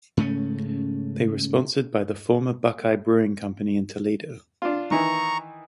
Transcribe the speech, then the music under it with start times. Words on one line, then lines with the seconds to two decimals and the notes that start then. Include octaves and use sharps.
They were sponsored by the former Buckeye Brewing Company in Toledo.
0.17 G#2 C#3 A3 C#4
4.62 D4 F4
4.91 D#3 E3 E4 A#5 C#6